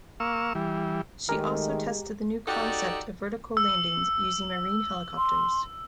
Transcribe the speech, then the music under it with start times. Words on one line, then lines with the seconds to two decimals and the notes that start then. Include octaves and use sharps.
She also tested the new concept of vertical landings, using Marine helicopters.
0.20 A#3 F5 C#6 E6
0.55 E3 G3
1.29 D#3 G#3 A3 G4 G#4 A#4 A#5 F6
2.47 D#4 F#4 G4 A4 C#5 D5
3.57 E6
5.17 C6